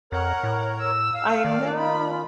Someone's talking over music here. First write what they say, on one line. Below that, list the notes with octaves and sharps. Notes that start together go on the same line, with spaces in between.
I know,
F2 A#4 C#5 F#5 A#5
A2
E6
F5
D#3 D5
F4 B5